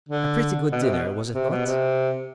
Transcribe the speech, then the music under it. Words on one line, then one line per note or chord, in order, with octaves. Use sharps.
A pretty good dinner, was it not?
D3
B2
C3
B2
C3
B2
C3